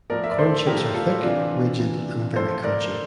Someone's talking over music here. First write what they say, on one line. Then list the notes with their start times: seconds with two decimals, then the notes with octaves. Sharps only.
Corn chips are thick, rigid and very crunchy.
0.10 A2 F3 A#4 D5
0.24 E5
0.32 D5
0.38 A4 C5
0.66 F3 G4 A#4
0.72 A2
0.94 F4 A4
1.23 C3 E3 D4 F4
1.79 C3 E3
2.35 A2 F3 A4 C5
2.64 A#4 D5